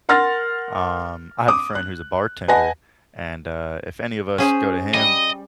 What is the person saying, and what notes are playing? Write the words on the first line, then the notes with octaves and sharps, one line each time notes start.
um, I have a friend who's a bartender, and, uh, if any of us go to him,
A#4 F#5 C6 F6 A6 A#6
D6 D#6
F#6
B4 D#5 F#5 G#5 A5 A#6
C#4 G#4 C5
G3 D#5